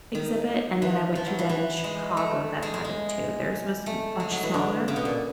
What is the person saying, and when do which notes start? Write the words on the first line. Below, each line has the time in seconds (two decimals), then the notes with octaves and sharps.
exhibit, and then I went to one in Chicago that had it too. Theirs was m much smaller,
0.15 D#3
0.82 E3
1.15 F3
1.27 F#3
1.39 E3
1.49 E3
1.84 G#3
2.17 A3
2.62 G#3
2.74 G#3
2.84 G#3
3.86 A3
4.20 G#3
4.31 F#3
4.43 E3
4.54 D3
4.88 C#3
4.96 B2
5.05 A#2